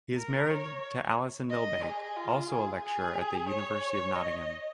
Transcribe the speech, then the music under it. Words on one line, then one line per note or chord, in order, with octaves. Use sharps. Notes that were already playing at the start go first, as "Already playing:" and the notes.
He is married to Alison Milbank, also a lecturer at the University of Nottingham.
A#4
C#5
D#5
G#4
F4
G#4
G#4
C#5
D#5